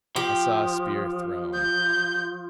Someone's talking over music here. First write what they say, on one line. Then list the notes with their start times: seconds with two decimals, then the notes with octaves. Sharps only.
I saw a spear thrown.
0.16 F3 G4
1.54 G6